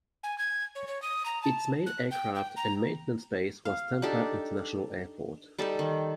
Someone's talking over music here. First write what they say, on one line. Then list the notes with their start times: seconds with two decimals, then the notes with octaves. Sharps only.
Its main aircraft and maintenance base was Tampa International Airport.
0.23 G#5
0.38 G#6
0.75 C#5
0.88 C#5
1.02 D#6
1.26 A#5
1.43 A5
1.86 F#6
2.11 G5
2.35 G5
2.56 A#5
3.65 F5
4.02 D4 D#4 G4 A4
5.58 G3 D#4 A4
5.79 D#3